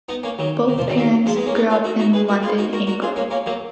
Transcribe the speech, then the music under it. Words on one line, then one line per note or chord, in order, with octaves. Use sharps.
Both parents grew up in London, England.
B3 D#4
A#3 C#4
D#3 F#3
D#3
F3
D#3 F#3
D#3 F#3
F3 G#3
G#3 B3
D#4
A#3 C#4
B3 D#4
C#4 F4
D#4 F#4
D#4 F#4
G#4 B4
F#4 A#4
F4 G#4
D#4 F#4
F#4 A#4
F#4 A#4
F4 G#4
A#3 C#4
A#3 C#4
F#3 A#3